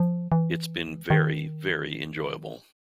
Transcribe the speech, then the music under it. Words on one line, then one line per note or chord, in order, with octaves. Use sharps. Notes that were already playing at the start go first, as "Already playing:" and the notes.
It's been very, very enjoyable.
Already playing: F3
E3
D#3